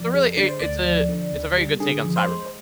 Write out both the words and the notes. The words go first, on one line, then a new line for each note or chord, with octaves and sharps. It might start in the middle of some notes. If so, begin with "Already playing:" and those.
So, really, i it's a it's a very good take on cyberpunk.
Already playing: F2 D5
G#3
D3 D5
C5
D2 D5
F3
D3
D2
G3
D3 G#4
F2
C5
G#3